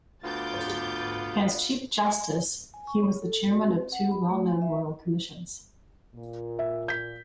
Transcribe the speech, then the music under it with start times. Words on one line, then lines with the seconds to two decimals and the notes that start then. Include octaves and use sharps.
As Chief Justice, he was the chairman of two well known Royal Commissions.
0.24 D2 B3 F4 D6 G6 A6
2.07 G#5
2.74 G#5
2.87 C#6
3.01 C#5
3.22 A4
3.34 A4
3.50 F#4
3.64 C4
3.92 F#5
4.11 B5
4.29 A3
4.47 G#5
4.62 E5
6.15 A#2
6.59 E5
6.88 G6 B6